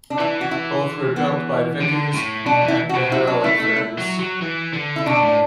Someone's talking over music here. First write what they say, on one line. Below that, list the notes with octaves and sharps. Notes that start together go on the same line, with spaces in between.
Both were built by Vickers at Barrow-in-Furness.
D4
E3 E4
F#4
E4
B3
D3
A2
B2 D4
E3 E4
F#4
B2
F#3 E4
D4
A3 E4
E4
E4
F#3
F#3
E3
D3
E4
B2 D4
A2